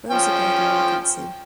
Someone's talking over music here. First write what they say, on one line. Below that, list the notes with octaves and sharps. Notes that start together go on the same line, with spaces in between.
Rosa died in infancy.
F3 C#4 G5